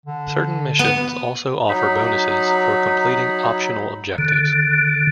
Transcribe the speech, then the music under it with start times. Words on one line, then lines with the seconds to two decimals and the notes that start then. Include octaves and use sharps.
Certain missions also offer bonuses for completing optional objectives.
0.06 D3
0.79 B3
1.69 F#3 D#4 B5
4.18 D3